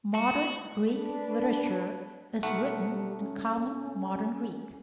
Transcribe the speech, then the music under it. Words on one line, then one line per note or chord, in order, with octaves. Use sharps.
Modern Greek literature is written in common Modern Greek.
F#4
D4 B4
B1 A3 F#5
G3
C#4